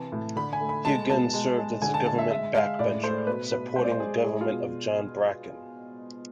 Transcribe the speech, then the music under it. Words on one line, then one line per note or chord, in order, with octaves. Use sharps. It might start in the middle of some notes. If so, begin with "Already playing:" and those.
He again served as a government backbencher, supporting the government of John Bracken.
Already playing: C3 E3 A5
A2
D3 B5
G#5
A3
B5
G#3 A5
B2 A5
G#3
G#3
D3 G#5
A5
G#3 A5
E5
G#3 E5
G#3 F5
A2 D5
A3 C5
B2 B4
B2 B4
G#3 C5
D5
C5
G#3 G#4
G#3 G#4
F4
B2